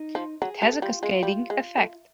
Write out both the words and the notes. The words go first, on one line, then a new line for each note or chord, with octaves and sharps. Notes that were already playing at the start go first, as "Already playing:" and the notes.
It has a cascading effect.
Already playing: D#4
F3
F#3 G#4
G3 A4
G3 F4
G#3 F4
G3
G#3
A3